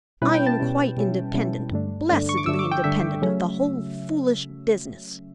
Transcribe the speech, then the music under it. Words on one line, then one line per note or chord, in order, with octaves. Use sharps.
I am quite independent; blessedly independent of the whole foolish business.
B2 G3 C#4 E4 B4
G5
A5
B2 G3 C#4 E4
B2 G3 C#4 E4
B2 G3 C#4 E4
G2 D3 A3 D4
G2 D3 A3 D4
C#6
D6
G2 D3 A3 D4 E6
D6
G5
G2 D3 A3 D4 E5
C#3 F#3 A3 C#4